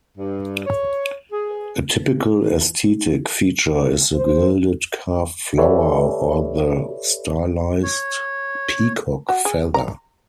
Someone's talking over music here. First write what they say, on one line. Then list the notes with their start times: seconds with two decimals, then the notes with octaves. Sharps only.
A typical aesthetic feature is the gilded carved flower, or the stylized peacock feather.
0.17 G2
0.66 C#5
1.32 G#4
4.15 C5
5.58 G4 A4 B4 C#5 D5 E5
7.83 C#5
9.29 F#4
9.45 G#4
9.74 A#5